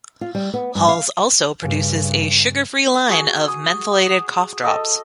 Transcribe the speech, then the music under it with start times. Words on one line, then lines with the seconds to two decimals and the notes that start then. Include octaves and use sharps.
Halls also produces a sugar free line of mentholated cough drops.
0.21 F4
0.35 G3
0.54 B3
0.75 G2
0.88 F5
1.62 G2 C#3
3.09 F#4 G#4 F#5
3.48 D#6
4.64 A4 D#5